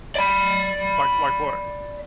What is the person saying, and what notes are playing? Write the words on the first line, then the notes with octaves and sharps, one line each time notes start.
like like what?
D5 B5